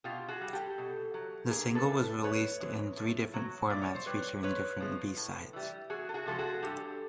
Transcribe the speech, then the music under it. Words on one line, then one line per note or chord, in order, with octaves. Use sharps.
The single was released in three different formats featuring different B-sides.
B2 F4 G4
F#4 G#4
G3
G4 A4
B2
F#3
G2 G#4 A#4
A4 B4
E3
G3
A2 B4 C#5
E3 G#3
A2
F#3
A#2 D5
C#5
C5
G3 B4 C#5
G#2 B4 C#5
F3 G#3
A2
E3 G3
E2 F#4 G#4
A4
F#4 G#4
C3 F3 G#3 A4
F#4 G#4
G2 G4 A4